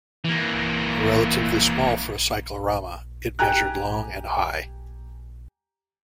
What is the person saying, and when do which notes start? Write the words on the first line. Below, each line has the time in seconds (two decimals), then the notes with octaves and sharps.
Relatively small for a Cyclorama, it measured long and high.
0.24 E3 A#3
3.39 G4 G5 G#5 A#5 F#6